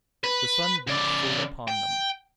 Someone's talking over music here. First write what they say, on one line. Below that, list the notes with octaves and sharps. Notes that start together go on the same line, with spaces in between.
The sun beat full upon them.
B4
C#3 D5
G5